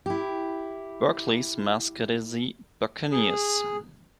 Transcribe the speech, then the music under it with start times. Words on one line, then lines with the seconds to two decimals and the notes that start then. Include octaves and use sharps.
Berkeley's mascot is the Buccaneers.
0.06 E4 G4
3.12 G#4